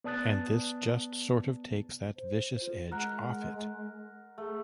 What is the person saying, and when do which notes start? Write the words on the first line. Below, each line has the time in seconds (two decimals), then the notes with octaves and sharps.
And this just sort of takes that vicious edge off it.
0.04 B3 D5 A5 D#6 F#6 A6
2.17 C5
2.61 F4
2.91 G#3 A#4 F#5
4.38 A3 G#4